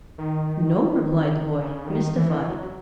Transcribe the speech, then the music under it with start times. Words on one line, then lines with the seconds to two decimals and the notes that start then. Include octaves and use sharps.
"No," replied the boy, mystified.
0.18 D#3
1.59 C#3
1.87 D#3
2.16 E3
2.43 F#3